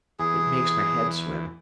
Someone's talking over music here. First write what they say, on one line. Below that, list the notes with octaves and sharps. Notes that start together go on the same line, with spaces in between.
"It makes my head swim."
E2 G#4